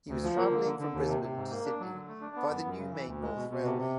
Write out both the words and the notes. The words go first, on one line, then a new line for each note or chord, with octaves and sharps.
He was travelling from Brisbane to Sydney, via the new Main North railway.
D2
F3
A#3
D3
D3
D3
D#2
C3
C3
G#2
A#3
D4
F#3
D3
A3
D4
B3
F#2
F#2
C#3
E3
D2
G#3
B2
B2
C3
C3